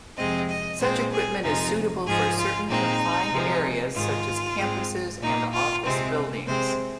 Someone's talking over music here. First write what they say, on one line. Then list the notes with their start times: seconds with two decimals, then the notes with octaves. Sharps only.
Such equipment is suitable for certain confined areas, such as campuses and office buildings.
0.17 F2 C3 G#3 C4 D#5
0.49 D#5
0.80 A#2 G#3 C4 C5
1.12 G#4
1.43 F2 C3 F3 G#3 D#4
2.06 G#2 F3 G#3 G#4
2.38 F4
2.69 A#2 G#3 C4 D#4
3.32 C3 F3 G#3
3.95 G#2 D#3 G#3 F4
4.58 G#2 G#3 C4
5.21 A#2 A#3 D#4
5.53 F4
5.84 C3 G#3 C4
6.47 C3 G#3 C4 C5